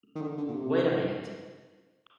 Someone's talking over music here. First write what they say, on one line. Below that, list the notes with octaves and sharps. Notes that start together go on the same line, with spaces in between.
Wait a minute.
D#3
D3
D3
A#2
C3